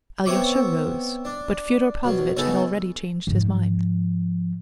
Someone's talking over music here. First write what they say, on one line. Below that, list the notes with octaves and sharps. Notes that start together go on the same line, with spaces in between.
Alyosha rose, but Fyodor Pavlovitch had already changed his mind.
B3 C4 C#5 E5 C#6 D6
D4
B2 F#3
C#3 B3 D#4 G#4 A4
G#2 F3